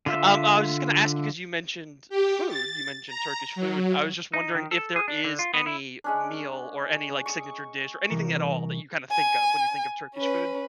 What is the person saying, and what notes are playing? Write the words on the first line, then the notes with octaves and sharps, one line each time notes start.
Um, I was just gonna ask you, 'cause you mentioned food, you mentioned Turkish food, I was just wondering if there is any meal, or any, like, signature dish, or anything at all that you kinda think of when you think of Turkish food?
D3 F4 E5
G4
A6
A#5
F#3
D#4
D#3
A4
G#4
D4
D3
F4
B3
E4
G#3 C#4 D4
C#6 D#6
C2 E3 A#4
G#5
C#4 B4